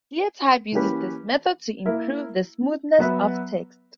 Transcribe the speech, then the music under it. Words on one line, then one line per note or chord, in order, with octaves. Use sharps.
ClearType uses this method to improve the smoothness of text.
E3 A#3 C#4 G4 B4
A#3 E4 A#4 E5
F#3 B3 F#4 B4 E5